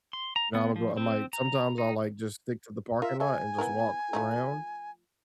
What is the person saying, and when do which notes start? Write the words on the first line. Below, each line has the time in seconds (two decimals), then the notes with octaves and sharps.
know, I'ma go I might sometimes I'll, like, just stick to the parking lot and just walk around
0.13 C6
0.36 A#5
0.55 B3
0.76 F3
0.97 C4
1.33 A#5
1.78 D#4
3.02 F4 A#4 E5
3.20 A4 E5 G#5
3.58 B3 E4 A#4
4.13 F3 A3 D#4